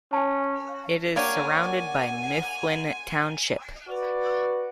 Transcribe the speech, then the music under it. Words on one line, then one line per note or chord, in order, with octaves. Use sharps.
It is surrounded by Mifflin Township.
C#4 G#5 A5
A#3 D4 G4 A#4 C#5 D5 F#5 G#5
F#4 B4 D5